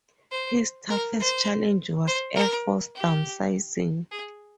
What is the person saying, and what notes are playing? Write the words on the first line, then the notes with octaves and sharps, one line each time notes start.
His toughest challenge was Air Force downsizing.
C5
A#4
C5
C5
A#4
G4
G#4